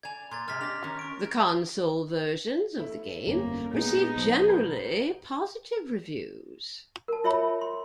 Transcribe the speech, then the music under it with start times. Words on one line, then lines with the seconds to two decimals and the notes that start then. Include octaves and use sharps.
The console versions of the game received generally positive reviews.
0.03 D5 G#5 G#6 F7
0.31 A#2 C6 G#6 A6
0.48 G#2 C3 G#3 F6 A6 B6
0.61 D4 G4 D#5 A#6 F7
0.83 D#3 C#4 A#4
0.99 C#6 D7
2.78 A3 E4
3.27 G1 F2 A#3 C#4
3.74 A#2 G#3 B3 D#4
4.16 B1 C5 A5
4.49 A#4 B4 G6
7.08 A#4 A5
7.24 F4 C#5 E5 G5 B5
7.61 C6